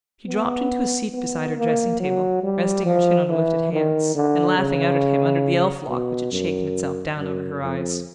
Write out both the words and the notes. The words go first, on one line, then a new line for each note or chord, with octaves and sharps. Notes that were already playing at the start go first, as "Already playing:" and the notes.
She dropped into a seat beside her dressing-table, resting her chin on her lifted hands, and laughing out at him under the elf-lock which had shaken itself down over her eyes.
B3
B3
A#3
F#3
G3
F3
E3
D#3
D3
C#3
B2
F#2
F#2
F2